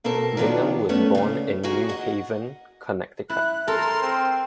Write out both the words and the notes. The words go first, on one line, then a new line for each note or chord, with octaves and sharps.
Bingham was born in New Haven, Connecticut.
B2 C4 A4 A#4 A5
D#3 F3 F#3 B3 D4
A3 B3 C#4
D2 C#3
F#4 G#4 A#4
D#5 F#5
E4 F#6
A4 A#4 C6
C4